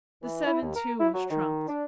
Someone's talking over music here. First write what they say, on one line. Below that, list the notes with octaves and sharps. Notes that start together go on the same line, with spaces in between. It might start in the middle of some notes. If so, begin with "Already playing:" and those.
The seven too was trumped.
E3
E4
D#2
A#4
E4
F#3
D#3
D4